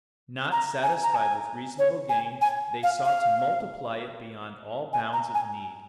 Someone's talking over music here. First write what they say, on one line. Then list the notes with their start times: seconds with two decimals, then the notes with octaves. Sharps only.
Not satisfied with reasonable gain, they sought to multiply it beyond all bounds of need.
0.52 A#5
0.83 G#5
1.03 A#5
1.14 G#5
1.79 C#5
2.09 G#5
2.41 G#5
2.83 F5
3.04 F5
4.93 G#5
5.13 A#5
5.34 G#5